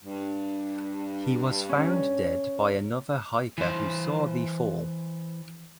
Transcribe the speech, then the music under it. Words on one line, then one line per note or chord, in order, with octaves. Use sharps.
He was found dead by another hiker who saw the fall.
G2
C#4
E3 C5